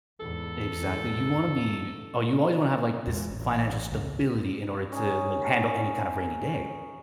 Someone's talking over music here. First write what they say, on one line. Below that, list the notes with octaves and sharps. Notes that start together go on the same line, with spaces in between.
Exactly, you wanna be oh, you always wanna have, like, this financial stability in order to, like, handle any kind of rainy day.
E2 G#2 A4
E2 G#3
A1
C#2
C#4 D#4 G#4